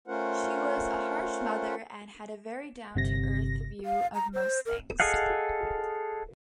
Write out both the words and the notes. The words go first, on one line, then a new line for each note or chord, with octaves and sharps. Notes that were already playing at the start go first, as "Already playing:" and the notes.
She was a harsh mother, and had a very down-to-earth view of most things.
A3 C#4 F4 A#4 C5 F#5
G1 C3 A#6
F5
A#5
C5
A#4
G#4 A4 D#5 F5 F#5